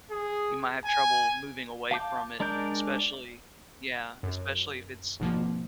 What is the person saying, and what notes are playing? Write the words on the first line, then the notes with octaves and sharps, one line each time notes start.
you might have trouble moving away from it, especially Yeah, especially if it's,
G#4
G#5
F5 A5 D6 G6
G#3 D4 A#4 D5 G6
F#2
G#1 B2 F3 A#3